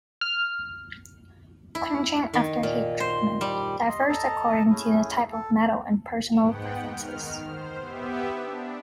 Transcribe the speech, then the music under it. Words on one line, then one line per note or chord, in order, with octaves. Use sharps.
Quenching after heat treatment differs according to type of metal and personal preferences.
F6
E4
D#3
A#2
C5
G3
D#5 C6
A4 D#5 A5 A#5
A3 C#4 E4 G#4
A4
G#2 B3 F#5 G5
D#3 F6
C5
B3 G4 E5
D4